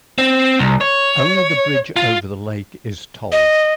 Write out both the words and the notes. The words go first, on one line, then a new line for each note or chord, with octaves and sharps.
Only the bridge over the lake is tolled.
C4
C2
C#5
F4
D#5